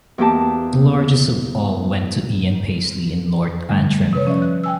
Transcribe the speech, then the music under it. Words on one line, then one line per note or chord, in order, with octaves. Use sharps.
The largest of all went to Ian Paisley in North Antrim.
E2 A#3 G4 A5
D3 G3 A3
C3 B4 C#5
F3 C#4 D5 E5
F#6
G5 G#5 E6